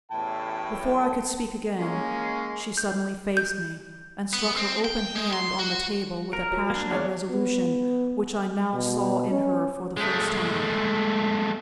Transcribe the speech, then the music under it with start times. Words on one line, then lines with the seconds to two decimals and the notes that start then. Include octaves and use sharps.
Before I could speak again, she suddenly faced me, and struck her open hand on the table with a passionate resolution which I now saw in her for the first time.
0.11 A1 E2 A2 G5 A5
1.79 G#3 A#3 C#4
2.77 G6
3.37 G6
4.33 B3
4.57 C4
4.85 G5
5.15 G#3
5.33 C6
5.59 F#4
6.33 A#4 A#5
6.52 F#3
6.70 A#3 D4
6.91 E2 C#5 D5
7.31 B3
8.74 B2
9.31 C#4
9.97 G#3 A3